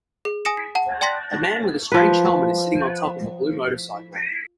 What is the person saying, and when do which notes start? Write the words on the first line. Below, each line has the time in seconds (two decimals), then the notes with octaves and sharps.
A man with a strange helmet is sitting on top of a blue motorcycle.
0.25 G#4
0.45 G#5 D#6 A#6 C#7 E7
0.75 F#5 A5
1.01 D5 G5 A5 C6 A#6 B6
1.92 F3 B4